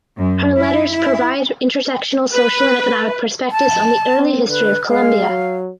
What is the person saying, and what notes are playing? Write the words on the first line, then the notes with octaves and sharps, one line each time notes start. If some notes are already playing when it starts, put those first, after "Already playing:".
Her letters provide intersectional social and economic perspectives on the early history of Colombia.
F#2
E4
E4
B4
A5
C4
D3 B4
G#3 F5
F#3